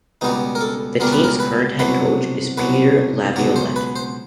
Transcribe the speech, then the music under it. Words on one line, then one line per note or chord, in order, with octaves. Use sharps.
The team's current head coach is Peter Laviolette.
C#2 B2 G3 B3 D#4
A#4
A4
C#2 B2 G3 B3 A#4
B4
A#4
B4
C2 B2 F#3 B4
C2 B2 F#3 B4
C#2 B2 F#3 C#5
C5
B4
C5